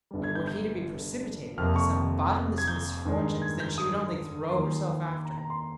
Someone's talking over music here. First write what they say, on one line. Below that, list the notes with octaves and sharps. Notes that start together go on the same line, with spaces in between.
But were he to be precipitated into some bottomless misfortunes then she could only throw herself after him.
G1 G2 G3
G#6
G6
G6
F1 F2 C3 F3 A#3 F6
C#6
G#6
G6
G2 D#3 G#3
G#6
G6
D#6
D#2 D#3 A#3 C6
A#5
A#5
C6